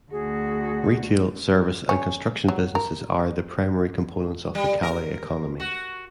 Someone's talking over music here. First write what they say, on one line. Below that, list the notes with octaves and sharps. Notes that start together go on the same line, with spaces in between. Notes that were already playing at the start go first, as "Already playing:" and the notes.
Retail, service, and construction businesses are the primary components of the Calais economy.
D2 F#4 G#4
C#4
F#3
A#4
G3
A#4
F#4